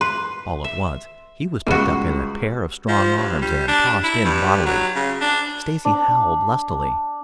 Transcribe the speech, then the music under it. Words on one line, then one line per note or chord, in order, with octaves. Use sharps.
All at once he was picked up in a pair of strong arms and tossed in bodily. Stacy howled lustily.
B4 C6
E5
C#2 G3 F#4
F3
G2
G3
D4
E4
G2
F#3
C#3
D4
D4